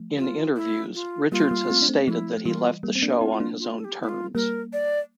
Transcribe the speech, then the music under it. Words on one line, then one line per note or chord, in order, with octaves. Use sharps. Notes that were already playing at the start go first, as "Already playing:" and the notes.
In interviews, Richards has stated that he left the show on his own terms.
Already playing: F3 A3
F4
E4
F4
G3 A#3 F4
G3 A#3
A3 C4
D4
A3 C4
F3 A3 E4
A3
E3 G3 F4
G3 A#3
C4
A#3 D4
G4
C4 E4 F4
E4
A#3 D4
F4
A4
G4
E4
F4
G3 A#3 A#4
D5